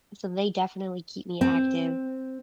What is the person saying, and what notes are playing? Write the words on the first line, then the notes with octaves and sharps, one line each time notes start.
so they definitely keep me active,
C4